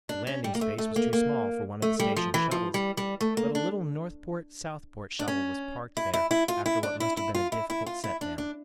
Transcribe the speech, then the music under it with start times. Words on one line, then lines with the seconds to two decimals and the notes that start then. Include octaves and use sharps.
The landing space was too small for one of the station shuttles, but a little Northport-Southport shuttle was parked there after what must have been a difficult set-down.
0.09 D4
0.27 C#4
0.44 G3
0.55 A#3
0.61 A3
0.78 A3
0.96 A#3
1.13 A#3
1.82 A3
2.00 G3
2.16 F3
2.34 E3
2.51 F3
2.74 G3
2.97 G3
3.21 A3
3.37 A#3
3.55 D4
5.19 D4
5.28 C#4
5.97 E4
6.14 E4
6.31 E4
6.48 F4
6.66 E4
6.83 D4
7.00 E4
7.17 E4
7.35 F4
7.52 E4
7.70 E4
7.86 F4
8.04 E4
8.21 D4
8.38 D4